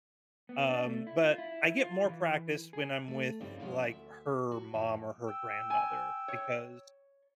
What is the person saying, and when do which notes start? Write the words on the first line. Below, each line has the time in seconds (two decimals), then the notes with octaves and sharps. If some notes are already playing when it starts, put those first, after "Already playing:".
um, but I get more practice when I'm with, like, her mom or her grandmother because
0.49 B3
0.69 D4
0.85 A3
1.07 E4
1.24 F4
1.38 E4
1.79 F4
2.05 E3
2.73 G#4
3.08 A3
3.40 G2 C#3 G3 C4 D#4
3.60 G#2 F3 G#3 C#4
3.86 D2 E5
4.52 F#4
4.74 F#2 D#3 F3
5.27 G5 E6
5.70 G#5
6.28 C#5